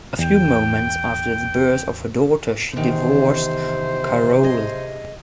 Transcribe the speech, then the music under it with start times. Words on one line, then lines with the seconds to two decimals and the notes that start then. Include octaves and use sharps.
A few months after the birth of her daughter, she divorced Carroll.
0.19 E2 G5
2.76 E2 C3 D#3 C5
4.43 G#4 D#5